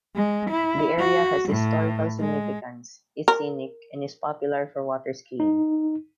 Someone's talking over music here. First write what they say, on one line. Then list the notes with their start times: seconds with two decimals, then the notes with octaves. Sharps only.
The area has historical significance, is scenic and is popular for water skiing.
0.16 G#3
0.50 E4
0.99 F#4
1.49 A2
2.20 G#3
3.28 A#4
5.40 D#4